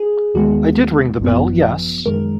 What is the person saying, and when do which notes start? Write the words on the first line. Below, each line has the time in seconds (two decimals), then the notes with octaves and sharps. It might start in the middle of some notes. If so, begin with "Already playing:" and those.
I did ring the bell, yes.
Already playing: G#4
0.34 D#2 D#3 G#3 B3 F#4
1.20 G#1 F#2 F3 B3
2.06 F#2 D#3 G#3 A#4